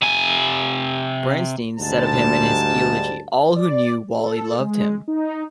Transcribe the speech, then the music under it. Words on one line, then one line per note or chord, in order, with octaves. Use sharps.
Bernstein said of him in his eulogy, All who knew Wally loved him.
C3 G#5
D2 G#2 G3 A5
D5
A4
G#3
D#4